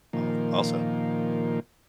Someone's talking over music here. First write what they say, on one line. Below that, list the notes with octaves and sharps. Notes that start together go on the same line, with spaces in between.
Oh, also
A#2 D#3 F3 A#3